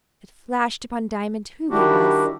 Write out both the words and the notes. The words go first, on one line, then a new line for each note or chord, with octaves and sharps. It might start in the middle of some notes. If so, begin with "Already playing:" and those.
It flashed upon Diamond who he was.
D#3 G3 D4 E4 F#4 G4